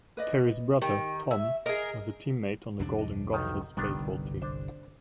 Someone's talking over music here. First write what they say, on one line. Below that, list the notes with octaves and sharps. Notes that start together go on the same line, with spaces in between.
Terry's brother, Tom, was a teammate on the Golden Gophers' baseball team.
B4 D5 D#5
D#3 G4
E5
G#4 A#4 D#5
C2 F2 D4
D#5
B1 D#3
G1 C2 D#3 G3 B3 D4
D4 C5